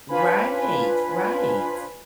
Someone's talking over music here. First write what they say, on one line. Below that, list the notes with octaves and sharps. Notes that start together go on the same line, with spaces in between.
Right, right.
D4 F4 B4 C5 G#5 B5